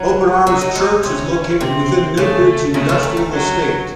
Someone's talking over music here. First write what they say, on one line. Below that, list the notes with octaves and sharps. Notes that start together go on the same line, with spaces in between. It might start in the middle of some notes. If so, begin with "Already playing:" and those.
Open Arms Church is located within Newbridge Industrial Estate.
Already playing: F#3 C#4
F#3 D#4
F#3
G#3
C3 C#4
C3 C4
C#3 A3
C#3 A3
C#3
D#3
D#3
F#3